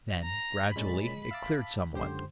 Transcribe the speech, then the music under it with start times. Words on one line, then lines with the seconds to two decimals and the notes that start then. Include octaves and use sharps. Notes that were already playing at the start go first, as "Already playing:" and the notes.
Then, gradually, it cleared somewhat.
0.24 A#5
0.76 A#2 G#3 C#4 B5 A6
1.31 E5 F5 A5 D6 A6
1.94 C#2 F#2 D3 G4 C5